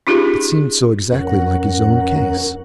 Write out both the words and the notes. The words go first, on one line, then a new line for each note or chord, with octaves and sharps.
It seemed so exactly like his own case.
C#4 D#4 F4 G4 G#4
F2 C#4 A#4 F#5